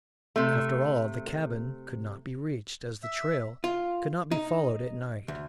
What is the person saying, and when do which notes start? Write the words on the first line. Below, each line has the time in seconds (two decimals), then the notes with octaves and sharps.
After all, the cabin could not be reached, as the trail could not be followed at night.
0.36 C3 A3
3.03 E5
3.64 F4
4.31 D#4
5.28 D2